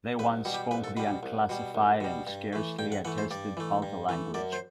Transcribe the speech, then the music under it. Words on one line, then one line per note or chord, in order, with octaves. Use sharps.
They once spoke the unclassified and scarcely attested Palta language.
C2 B4
B2 G3
G4
C2 B4
A4
B2 G3 B4
C2
B2 G3
C2
B2 G3
G2
E3 A3
G2 G5
F#5
E3 A3 F#5
C5
G2 D5
E3 A3
G2
E3 A3
F#2 D5
C5